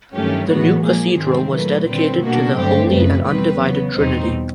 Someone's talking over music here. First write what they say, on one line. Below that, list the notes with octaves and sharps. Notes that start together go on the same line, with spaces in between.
The new cathedral was dedicated to the Holy and Undivided Trinity.
G2 D#3 F#3 A3 C#4 G4
A2 E3 G#3 B3 F#4
A#2 F3 A#3 G#4
G#2 D#3 G3 C4
A#2 F#3 A3 B4
D3 G3 C4 B4
B2 G3 A#3 D4 F#4
G2 D3 F#3 A3 C4 G4
F#2 C#3 F3 B4
E2 B2 G3 C4 B4
C#3 F#3 B3
E2 B2 G3 C4 D#4 C5